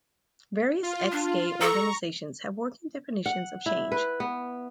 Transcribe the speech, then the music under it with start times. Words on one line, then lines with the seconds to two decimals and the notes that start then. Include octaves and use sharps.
Various ex-gay organizations have working definitions of change.
0.83 F4
1.12 D4
1.61 A4 A#5 C#6
3.26 F#5
3.66 E4
3.92 B4
4.20 B3